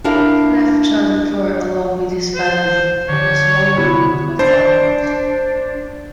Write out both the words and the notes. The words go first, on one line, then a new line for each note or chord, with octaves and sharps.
He left Jaunpur along with his family and a small group of followers.
D4 E4 G4 A#4 F5
C5
D3 G4 C#5
C3 B3 E4
D4 C5